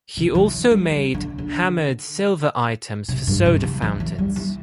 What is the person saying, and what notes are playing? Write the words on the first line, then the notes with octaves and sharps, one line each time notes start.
He also made hammered silver items for soda fountains.
C3
E3
G3
E3
D3
D3
C3
G2
C3
E3
E3
E3
G3
E3